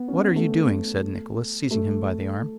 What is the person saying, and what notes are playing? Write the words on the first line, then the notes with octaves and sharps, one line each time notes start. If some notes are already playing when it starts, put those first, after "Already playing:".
'What are you doing?' said Nicholas, seizing him by the arm.
Already playing: B3
C#4
B3
A3
A3